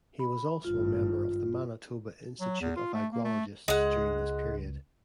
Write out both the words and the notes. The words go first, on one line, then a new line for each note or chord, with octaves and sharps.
He was also a member of the Manitoba Institute of Agrologists during this period.
B5
G#1 G2 F4
F#3
E2
F4
A3
A#3
A3
C#2 G#3 F#5